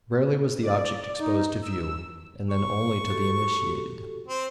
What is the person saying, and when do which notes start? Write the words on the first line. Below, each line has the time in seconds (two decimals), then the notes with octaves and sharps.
Rarely was the object exposed to view, and then only to the initiated.
0.63 D5
1.19 D#4
1.62 E6
2.50 C#6
3.08 F#4 G4 A4
4.28 C4